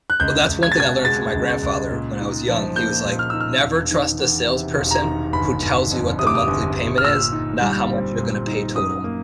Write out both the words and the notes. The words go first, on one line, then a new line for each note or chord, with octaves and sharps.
Well, that's one thing I learned from my grandfather when I was young, he was, like, "Never trust a salesperson who tells you what the monthly payment is, not how much you're going to pay total."
F#6
C#2 G6
C#2
G#6
A6
B2 G#6
G#3 A6
C#2
C#2
A#2
D#4
F3
A#3 G6
A#2
F6
D#4 E6
F6
E1
D#3
E2
C3
E1
A#5
D#3
G1 B5
G1
F2
C3 D#6
D6
D#6
G1
G1
F6
A#2 E6
D#4
G3
C4
A#2
D#4
F#2 D#6
A#3